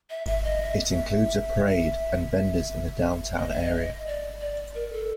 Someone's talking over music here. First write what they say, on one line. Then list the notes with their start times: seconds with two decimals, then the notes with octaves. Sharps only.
It includes a parade and vendors in the downtown area.
0.10 E5
0.27 E5
0.44 D#5
0.61 E5
3.37 D#5
3.49 E5
3.62 D#5
4.07 D5
4.41 D5
4.75 A#4
4.93 A4